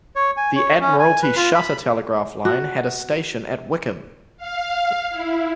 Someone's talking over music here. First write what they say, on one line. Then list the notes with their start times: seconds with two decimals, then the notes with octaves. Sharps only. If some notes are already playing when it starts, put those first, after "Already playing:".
The Admiralty Shutter Telegraph Line had a station at Wickham.
0.16 C#5
0.37 G#5
0.56 C#5
0.81 C#4
0.99 G#5
1.22 B4
1.36 F4
1.55 B5
2.45 F#4
4.37 F5
5.10 E4